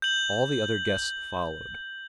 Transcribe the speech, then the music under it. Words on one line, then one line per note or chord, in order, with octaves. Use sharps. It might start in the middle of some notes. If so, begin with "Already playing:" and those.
All the other guests followed.
G6 F#7